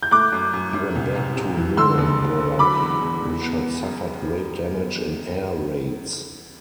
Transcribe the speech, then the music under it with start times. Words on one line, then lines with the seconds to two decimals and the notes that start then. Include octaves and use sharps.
He went back to Nuremberg, which had suffered great damage in air raids.
0.03 G6
0.11 A3 D6 F#6
0.32 F#2
0.53 F#2
0.74 F#2
0.95 C2
1.16 C2
1.36 C3
1.57 E3
1.77 D3 C6 E6
1.98 F#1
2.19 F#1
2.39 D3
2.59 F#3 B5 D6
2.80 E2
3.01 E2
3.22 E2
3.43 B3
3.62 B3
3.83 F#2
4.04 G3